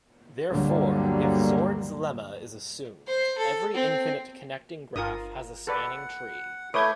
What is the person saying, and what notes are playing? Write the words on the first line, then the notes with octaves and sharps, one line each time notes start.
Therefore, if Zorn's lemma is assumed, every infinite connected graph has a spanning tree.
D2 G2 D3 F#3 G3 A#3
C5
A4
C4
G1 F4 A#4 D#6
A4 B4 D5 F#5
A3 E4 B4 C#5 D6 D#6 G6 G#6